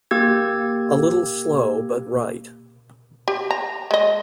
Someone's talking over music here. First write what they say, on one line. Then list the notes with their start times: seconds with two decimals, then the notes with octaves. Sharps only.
A little slow, but right.
0.11 A#3 G4 E6 G#6
3.28 G4
3.51 A#5
3.91 G#3 D#5